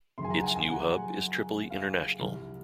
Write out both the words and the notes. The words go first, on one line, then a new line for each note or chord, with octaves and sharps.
Its new hub is Tripoli International.
F#2 C#3 F3 C6
G#5
A#5
F#5
G#5
G#5
F#5
F5
C2 C3 F3